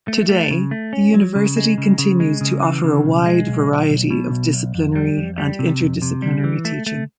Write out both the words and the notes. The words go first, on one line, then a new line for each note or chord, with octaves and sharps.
Today, the University continues to offer a wide variety of disciplinary and inter-disciplinary teaching.
A3
A3
C#3
A3
C#4
F#3
C#3
G#3
C#3
C#3
G#3
C#3
E3
C#3
B1
G#3
B1
B1
B1
B2
B1
B1
F2
G3
F2
G3
C3
F2
C3
G3
E3
A3
A3